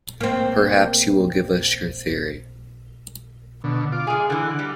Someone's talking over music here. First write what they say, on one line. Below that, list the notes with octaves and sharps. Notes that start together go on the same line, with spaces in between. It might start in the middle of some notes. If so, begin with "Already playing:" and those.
Perhaps you will give us your theory.
A#3 C4
B2 D3
F4 D6
G#3 G#4
D3 E3 F#5
G3